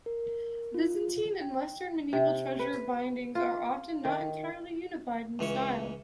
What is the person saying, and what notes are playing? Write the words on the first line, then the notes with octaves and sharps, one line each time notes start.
Byzantine and Western medieval treasure bindings are often not entirely unified in style.
A#4
F4
G5
C3
B4
F4
D#3
C#2 E3 C#4 C#6